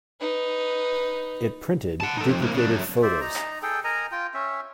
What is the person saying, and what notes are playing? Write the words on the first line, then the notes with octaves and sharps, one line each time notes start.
It printed duplicated photos.
D#4 B4
F#5 A5
D#4 A4
F2
C2 A#3
C#3 D4
F#2
C5 D5 E5
D#4 A#5
G#4 A4 G5
A#4 D#5 G#5 A#5
F4 G5
C#4 E5